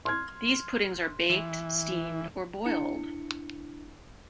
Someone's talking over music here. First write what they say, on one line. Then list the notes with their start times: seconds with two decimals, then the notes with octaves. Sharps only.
These puddings are baked, steamed or boiled.
0.05 C6 F6 G#6
1.30 E3
2.65 D4 E4 C#7